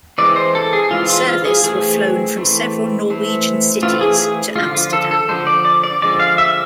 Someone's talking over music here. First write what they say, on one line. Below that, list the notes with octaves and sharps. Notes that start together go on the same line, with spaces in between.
Service were flown from several Norwegian cities to Amsterdam.
E3 G#3 C4 D5
C5
A4
G#4
E3 G#3 C4 F4
F4
F4
G#4
E3 A3 C4 G#4
E3 A3 C4
E3 A3 C4
E3 A3 C4 F4
G#4
G#4
D3 F3 G#3 F4
F4
A4
A4
D3 F3 G#3 C5
D5
D5
D5
D3 F3 G#3 D5
F5
E5